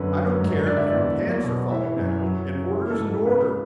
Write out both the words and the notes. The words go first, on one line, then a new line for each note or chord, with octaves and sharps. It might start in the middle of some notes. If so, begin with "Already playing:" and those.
"I don't care if your pants are falling down, an order's an order!"
Already playing: F#2 D3 B4
F#3
G#2
D3 D5
E5
D5
E2
F#3
B2
E3 E5
F#2
F#3
C#3
E3
A4
G#2
A4
C#3 B4